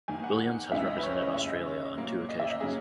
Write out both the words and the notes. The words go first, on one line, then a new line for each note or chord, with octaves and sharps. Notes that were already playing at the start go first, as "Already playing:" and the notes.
Williams has represented Australia on two occasions.
E2 D#3 A#3 G#5
F#5
C#2 C#3 E3 E5
D#5
B4
C#5
C#5
D#5
F#2 C#3 G#3 E5
D#5
C#5
A#2 F#3 A#3
D#5
E5
D#5
C#3 F#3 A#3 G#4